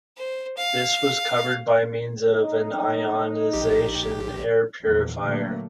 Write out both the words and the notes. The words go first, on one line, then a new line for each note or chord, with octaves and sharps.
This was covered by means of an ionisation air purifier.
C5
F5
D#4
A#1 G4
E2 A#2 D#3 F#3
A#2 D3 F#3 A3 A#3